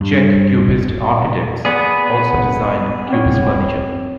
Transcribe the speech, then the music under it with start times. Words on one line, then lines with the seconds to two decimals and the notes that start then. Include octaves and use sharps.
Czech Cubist architects also designed Cubist furniture.
0.01 G2
1.65 B3 G#4 D5 B6
2.13 F#5
3.09 C4 C#5